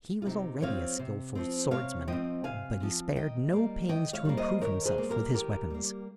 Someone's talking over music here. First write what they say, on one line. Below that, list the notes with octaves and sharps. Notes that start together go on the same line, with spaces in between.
He was already a skilful swordsman, but he spared no pains to improve himself with his weapons.
F4
C3 D#4 G4
F3 C4 C#5 F5
C3
F3 C4
C3 C#5 F5
F3 C4 D#5 G5
C3 F5 G#5
F3 C4
D#3 D#5 G5
G3 A#3
D#3 D#5 G5
C#5 F5
G3 A#3
C5 D#5
D#3 A#4 C#5
G#4 C5
G3 A#3
G4 A#4
D#3 G4 A#4
G3 A#3